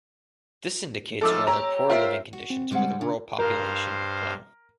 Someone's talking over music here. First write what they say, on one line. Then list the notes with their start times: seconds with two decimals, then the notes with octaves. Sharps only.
This indicates rather poor living conditions for the rural population of Plaue.
1.21 G#2 F3 A3 A4 D6 E6
1.47 G4 C#5 A#5
1.90 F4 A#4 C5 E5
2.33 F#4
2.50 C4
2.71 C#3 G3 G#3 D4 C5 F#5
3.01 C#3 D4
3.39 G2 A#4 C5 F5